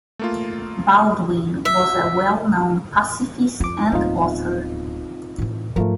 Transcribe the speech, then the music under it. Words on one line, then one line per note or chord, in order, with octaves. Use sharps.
Baldwin was a well-known pacifist and author.
A3 A#3 F4
E5
F2 F4 D6
D1 B3 C4 D#4 F4
A2 E3
G#2 F3 A3 F4 A#4